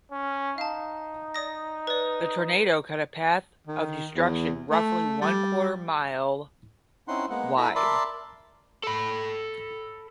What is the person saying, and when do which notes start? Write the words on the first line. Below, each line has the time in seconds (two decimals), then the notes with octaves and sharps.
The tornado cut a path of destruction roughly one quarter mile wide.
0.12 C#4
0.58 D#4 F5 A5
1.34 D5 D#6 A#6
1.87 B4 D5
3.67 D#3
4.15 E2
4.71 A3
5.22 G3
7.08 C4 C#4 D#4 E4 F#5 C6
7.30 G#3 A#3 B3 F#5
7.57 E4 A4 A#5 B5
7.75 A#4 D5 E5 A5 B5 C6
8.84 A4 B5